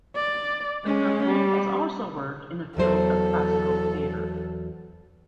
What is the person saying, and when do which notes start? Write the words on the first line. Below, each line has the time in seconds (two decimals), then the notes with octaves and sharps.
The company has also worked in the field of classical theatre.
0.16 D5
0.84 G#3 C#4
1.27 G3
2.77 E2 F#3 A4 C5